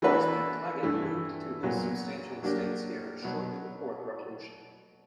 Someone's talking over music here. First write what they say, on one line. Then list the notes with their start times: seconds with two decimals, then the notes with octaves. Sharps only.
Wiseman Claget moved to his substantial estates here shortly before the Revolution.
0.02 E3 A3 D4 F#4 B4
0.83 G2 E3 A3
1.63 A#2 F#3 B3
2.43 F#3 A#3 D4 G4
3.22 B2 F#3 B3